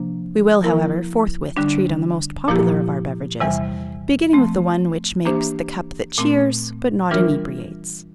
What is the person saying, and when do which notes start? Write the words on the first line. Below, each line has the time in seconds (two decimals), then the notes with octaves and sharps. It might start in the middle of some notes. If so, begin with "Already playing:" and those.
We will, however, forthwith treat on the most popular of our beverages, beginning with the one which makes "the cup that cheers but not inebriates."
Already playing: C3 F3 A#3 D4
0.63 F3 A#3 E4 A#4
1.57 D3 G3 D4
2.48 A#2 F3 A#3 E4 G4
3.40 E2 C3 E3 G3
4.33 F3 A3 C4
5.25 E3 A#3 D4 G4 C5
6.18 A#2 A3 C4
7.11 E3 G3 D4 F4 A#4